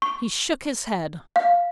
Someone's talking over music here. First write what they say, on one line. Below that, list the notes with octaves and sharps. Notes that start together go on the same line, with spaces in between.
He shook his head.
C#6
F5